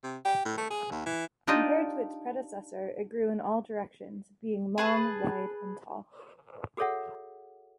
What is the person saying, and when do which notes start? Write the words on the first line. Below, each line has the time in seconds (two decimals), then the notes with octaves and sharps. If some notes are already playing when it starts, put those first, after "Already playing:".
Compared to its predecessor it grew in all directions, being long, wide and tall.
0.03 C3
0.25 G4
0.45 A2
0.57 A3
0.70 G#4
0.92 D#2
1.06 E3
1.47 D4 D#4 F4 G4 D5 D#5
4.78 G#4 B4 A5
6.77 F#4 G#4 A4 C#5 E5 F#5